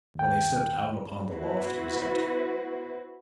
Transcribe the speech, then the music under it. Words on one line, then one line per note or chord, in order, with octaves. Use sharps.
When they stepped out upon the loft it was empty.
D#2 G5
B3 E4 F#4 B4 C5